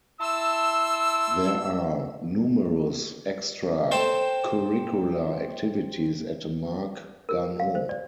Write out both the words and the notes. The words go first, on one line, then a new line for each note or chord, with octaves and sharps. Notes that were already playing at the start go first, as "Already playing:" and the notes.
There are numerous extra curricular activities at Marc Garneau.
E4 A5 C6 E6
C4 A4 C5 G5 A5
A#4
F5
C5
D5